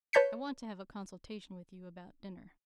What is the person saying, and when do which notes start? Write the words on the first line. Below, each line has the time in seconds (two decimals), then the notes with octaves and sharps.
I want to have a consultation with you about dinner.'
0.13 B4 C#5 A5 G6 B6 C#7